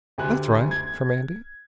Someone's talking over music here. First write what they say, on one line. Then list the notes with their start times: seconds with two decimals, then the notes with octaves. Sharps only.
"That's right," from Andy.
0.18 D2 G4 G#5 F#6
0.71 G#6